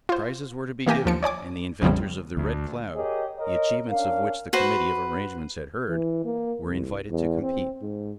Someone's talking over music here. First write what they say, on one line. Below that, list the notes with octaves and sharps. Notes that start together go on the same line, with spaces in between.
Prizes were to be given, and the inventors of the Red Cloud, the achievements of which the committee of arrangements had heard, were invited to compete.
F4 C5
E3 A#3 G4 G#5 A#6
D#2 F3 C#7
C#5 D5 G#5 D6
A#1 F2 C#3 F3 G3
D2
G4 G#4 A#4 C#5 D#5
A#4 C#5 D#5
C#4 D4 A#4 F5
F#4 B4 C5
E3
A#3
C2
E2
C4
G#2